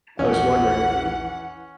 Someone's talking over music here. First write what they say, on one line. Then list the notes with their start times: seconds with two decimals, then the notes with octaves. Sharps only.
I was wondering if you
0.19 A#1 E2 E3 C#4 F#5